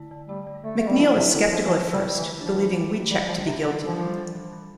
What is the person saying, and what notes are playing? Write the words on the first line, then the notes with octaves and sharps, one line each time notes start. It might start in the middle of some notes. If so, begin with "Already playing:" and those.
McNeal is skeptical at first, believing Wiecek to be guilty.
Already playing: D3 A3 E4
D3
G3 A3
D3
D3 A3
D3 A3
G3
F3 E4
C3 E4
D3 E4
D3 F3
E3
D3 F3
E4
G3
D3
E3
A3
F3 D4
E3
G3
E3
E3 G3
F3 G3
C3 E3
D3 D4
E3 F3
G3
D4
E3
E3